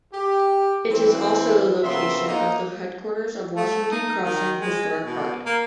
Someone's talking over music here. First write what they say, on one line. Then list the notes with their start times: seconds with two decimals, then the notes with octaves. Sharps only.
It is also the location of the headquarters of Washington Crossing Historic Park.
0.13 G4
0.91 E3 C4
1.83 A#2 C#3 B3 C4 E5 C6
2.28 A#3 D#4
3.57 A3
3.91 D#4
4.22 D#3
4.60 G#3
5.03 B2
5.46 A#3